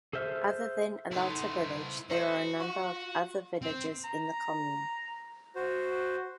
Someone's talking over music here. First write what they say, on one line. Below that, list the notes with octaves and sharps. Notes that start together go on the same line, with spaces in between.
Other than Alata village there are a number of other villages in the commune.
G#4 A4 C5 E5 F6
A3 B3 D#4 E4 C5
A3 F#4 C5 D#5
F4
C4
A#5
F#4 C5